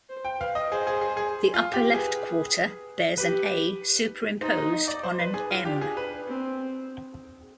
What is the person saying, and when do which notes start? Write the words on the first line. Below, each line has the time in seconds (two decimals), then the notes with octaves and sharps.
The upper left quarter bears an "A" superimposed on an "M".
0.09 C5
0.25 G5
0.40 B4 F5
0.55 D#5
0.71 G#4 C5
0.87 G#4
1.01 G#4
1.17 G#4
1.54 F4
1.73 G4
1.94 G#4 B4
3.18 G4 B4
4.41 D#4 C5
4.57 D#5
4.73 D#5
4.88 D5
5.03 C5
5.19 B4
5.34 G#4
5.51 F4
5.65 D4 G4
5.81 G#4
5.97 B4
6.27 C4